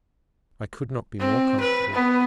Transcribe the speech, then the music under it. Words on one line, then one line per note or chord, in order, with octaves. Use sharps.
"I could not be more comfortable."
C4
B4
B3